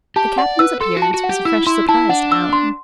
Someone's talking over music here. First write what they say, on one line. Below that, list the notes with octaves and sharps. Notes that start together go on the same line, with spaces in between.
The Captain's appearance was a fresh surprise to Alan.
G4 A5
D5 F#5
B4 E6
A4 C6
F#4
A5
F#4
F#5
G4
E4 E6
E4 C6
E4 A5
D4 F#5
E6
C6